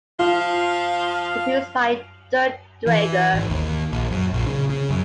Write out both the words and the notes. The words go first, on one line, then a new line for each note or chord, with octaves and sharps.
Produced by Dirk Draeger.
F3 F4 F5
E3
G#1
D#2
A#1
F#2
A#1
C#3
C#3
F#2